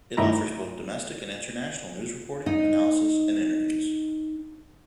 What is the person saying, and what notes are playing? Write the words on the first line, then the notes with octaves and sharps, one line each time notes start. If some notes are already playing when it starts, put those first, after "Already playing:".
It offers both domestic and international news reporting, analysis, and interviews.
C2 G2 D#3 A3 E4 A#5
D#4 D#5